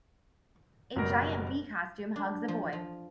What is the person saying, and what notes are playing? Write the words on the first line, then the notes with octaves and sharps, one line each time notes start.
A giant bee costume hugs a boy.
F#1 F#2 B2 G3 A#4 A#6
D4
F3
F3